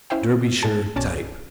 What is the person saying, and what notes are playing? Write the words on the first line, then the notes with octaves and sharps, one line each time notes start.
Derbyshire type.
C#4 E4 C5 E5 F5 G5
A2 A3 G#4 A5
B1 C#4 D5 A5